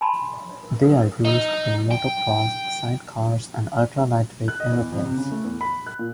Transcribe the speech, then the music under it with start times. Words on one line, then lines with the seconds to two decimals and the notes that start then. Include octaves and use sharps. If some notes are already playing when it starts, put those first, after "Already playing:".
They are used in motocross sidecars and ultra lightweight aeroplanes.
0.01 G#5 A5 B5 C6
1.25 D#4
1.91 G5
4.48 F#6
4.60 D#5
4.72 E2
4.92 F2
5.05 C3
5.18 C#3
5.32 A3
5.45 E2
5.61 B5
5.87 F#6
5.99 A#2